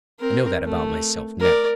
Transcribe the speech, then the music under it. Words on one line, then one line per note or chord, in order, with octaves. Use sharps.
I know that about myself now.
C4 A#4
A3
A#4 D5